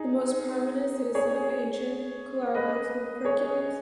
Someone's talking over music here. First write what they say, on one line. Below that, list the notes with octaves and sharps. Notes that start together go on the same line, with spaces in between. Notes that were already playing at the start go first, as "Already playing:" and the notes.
The most prominent citizen of ancient Cholargos was Pericles.
Already playing: D#4 G#4
G#4 C#5
B4 D#5
G#4 C#5